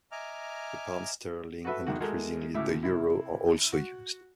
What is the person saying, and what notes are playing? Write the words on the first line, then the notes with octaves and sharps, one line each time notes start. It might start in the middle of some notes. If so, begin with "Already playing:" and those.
The pound sterling and increasingly the euro are also used.
D#5 E5 G#5 A#5 D6 F6
F#4 A4 B4 E5
B1 E2 D#3 F#4
G#3 A3 F#4 A4 A#4
D2 A2 C#3 E5 D6
C3 E4
F#4